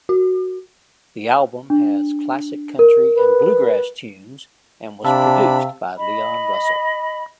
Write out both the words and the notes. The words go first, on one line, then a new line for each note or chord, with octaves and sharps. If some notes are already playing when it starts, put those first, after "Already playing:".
The album has classic country and bluegrass tunes and was produced by Leon Russell.
F#4
D4
A#4
B4
C3 D4 F5 A5 B5 E6
D#5 B5